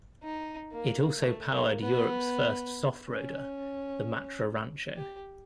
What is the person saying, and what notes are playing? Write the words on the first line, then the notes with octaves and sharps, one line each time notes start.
It also powered Europe's first soft-roader, the Matra Rancho.
D#4
A#3
A3
A#3
B3
C#4
G4